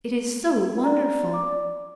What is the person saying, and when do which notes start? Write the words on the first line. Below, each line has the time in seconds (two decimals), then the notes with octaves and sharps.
"It is so wonderful."
0.84 D5 A#5
1.34 D6